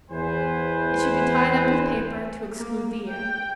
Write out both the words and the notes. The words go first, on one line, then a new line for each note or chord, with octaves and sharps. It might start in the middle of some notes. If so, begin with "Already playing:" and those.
It should be tied up with paper to exclude the air.
E2 B4 C5 G#5
A#3
G5